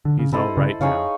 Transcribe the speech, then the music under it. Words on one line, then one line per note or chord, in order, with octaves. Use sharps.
"He's all right now."
D3
C#3
C3 E4 A4 C5 D#5
C#3
C#3 D#4 G#4 C#5 F5